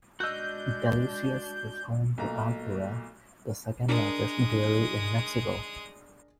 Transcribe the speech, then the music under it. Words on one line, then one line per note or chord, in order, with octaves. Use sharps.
Delicias is home to Alpura, the second largest dairy in Mexico.
G#3 D4 F#4 D#5 E6 F#6 G6
B1 A#2 A3 A#5
G#3 D4 A#4 D#6